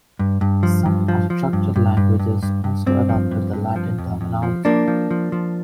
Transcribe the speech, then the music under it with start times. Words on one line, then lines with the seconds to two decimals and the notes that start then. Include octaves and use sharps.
Some constructed languages also adopted the Latin terminology.
0.19 G2
0.41 G2
0.63 F3
0.86 G2
1.08 F3
1.30 F3
1.53 G2
1.76 G2
1.97 G2
2.19 G2
2.43 G2
2.64 G2
2.86 G2 C4
3.09 F3
3.31 G2
3.53 G2
3.76 F3
3.98 F2
4.21 F2
4.43 F3
4.65 F3 A#3 D4
4.88 F3
5.11 F3
5.32 F3